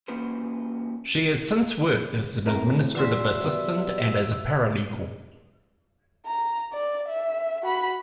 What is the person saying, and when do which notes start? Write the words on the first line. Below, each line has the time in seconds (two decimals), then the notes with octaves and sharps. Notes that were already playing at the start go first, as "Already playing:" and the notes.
She has since worked as an administrative assistant and as a paralegal.
0.08 E3 A#3 C#4 F#4 B4 C5
2.47 A2 C4 A#4
2.95 E3 F#4 D5 E5 C6
3.40 G3 B3
6.26 A#5
6.73 D5
7.09 E5
7.63 F#4 B5